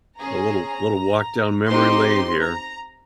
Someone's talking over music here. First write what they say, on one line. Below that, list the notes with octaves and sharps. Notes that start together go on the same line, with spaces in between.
a little little walk down memory lane here.
C#4 G#4 A#5
C4 D#4 G4 C6
A#5